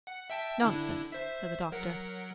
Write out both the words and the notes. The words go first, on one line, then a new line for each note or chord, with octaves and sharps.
"Nonsense," said the Doctor.
F#5
E5 G5 A5
D3 D4 E4
C5 E5
F#3 A#4 F#5